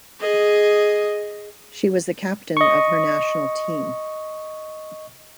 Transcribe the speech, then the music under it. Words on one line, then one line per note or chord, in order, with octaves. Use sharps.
She was the captain of her national team.
G#4 D#5
D#5 C#6